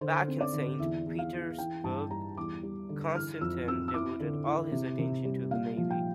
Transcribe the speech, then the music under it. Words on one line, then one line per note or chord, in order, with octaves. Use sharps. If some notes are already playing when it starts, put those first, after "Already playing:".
Back in Saint Petersburg, Konstantin devoted all his attention to the navy.
D3 C5
C4
D5
D3
E2 E5
E2
F5
E2
E3 G5
G2 A5
G3 A#5
E2 D6
G3
D3
E3 F6
F2 E6
C4 E6
E6
E4 D6
D3
E4
C3
C3
G3
A#2 F5
F3
G5